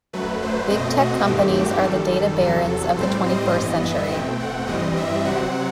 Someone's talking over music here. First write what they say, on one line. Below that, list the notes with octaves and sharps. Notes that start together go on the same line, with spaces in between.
Big tech companies are the data barons of the twenty first century.
F#2 F#3 A3 B4
C5
B2 A3 C4 D#5
F#4
G2 D#3 A3 C4 G4
F#4
F#2 D#3 G3 A4
A4
E2 C3 F#3 A4
A4
A2 G3 C4 C5
D#5
G2 E3 B3
E5
B2 A3 C4 G5
F#5
G2 E3 G3 C4 D#5
E5
C3 F#3 C4 F#5